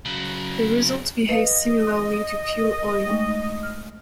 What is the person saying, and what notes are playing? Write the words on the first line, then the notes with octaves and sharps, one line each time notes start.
The result behaves similarly to fuel oil.
C#3 F#3
B4 D#5 F5
C6
A#4 D#6
G#3 A3 D#4
F6